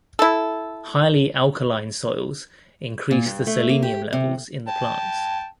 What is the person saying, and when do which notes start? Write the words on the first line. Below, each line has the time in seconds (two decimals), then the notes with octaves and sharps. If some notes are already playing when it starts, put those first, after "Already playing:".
Highly alkaline soils increase the selenium levels in the plants.
0.19 E4 A4
3.11 A#2
3.26 G2
3.47 A3
3.69 A#3
3.83 G4
4.13 C3
4.68 G5 A5